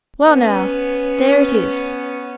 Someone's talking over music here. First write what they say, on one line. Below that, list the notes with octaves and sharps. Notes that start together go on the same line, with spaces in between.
Well, now, there it is.
B3 C#4